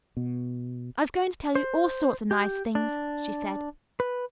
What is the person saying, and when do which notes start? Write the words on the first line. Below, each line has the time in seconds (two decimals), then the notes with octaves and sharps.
"I was going to tell you all sorts of nice things," she said.
0.17 B2
1.55 C5
2.31 G4
2.75 D4
4.00 B4